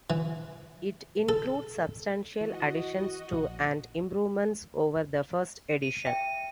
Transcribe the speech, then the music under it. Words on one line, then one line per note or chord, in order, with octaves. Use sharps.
It includes substantial additions to and improvements over the first edition.
E3
A4
E3 F#4 D#5
A#1
D#7
E5 G5